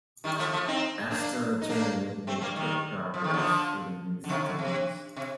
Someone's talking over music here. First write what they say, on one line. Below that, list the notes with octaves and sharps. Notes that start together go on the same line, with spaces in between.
After returning, he made quick progress through the youth teams.
D#3 G3
F3 A3
F3 A3
C4 D#4
A#3 D4
D#4
A#3 D4
A3 C4
G3 A#3
D#3 G3
F3
D#3
D3 F3
D3
C3 D#3
D3
C3
C3